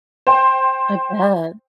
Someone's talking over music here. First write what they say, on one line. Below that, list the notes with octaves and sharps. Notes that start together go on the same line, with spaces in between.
I bet.
C5 G5